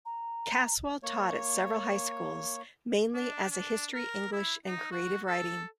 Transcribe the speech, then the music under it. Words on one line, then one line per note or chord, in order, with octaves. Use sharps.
Caswell taught at several high schools, mainly as a history, English and creative writing.
A#5
A#3 C#5
D4
D4
A#4
E4
D#4
F#4
A4